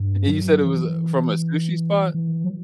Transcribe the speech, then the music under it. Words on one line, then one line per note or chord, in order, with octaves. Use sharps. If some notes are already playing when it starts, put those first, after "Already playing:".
And you said it was, uh, from a sushi spot?
Already playing: G2
F#3
E3
E3
F#3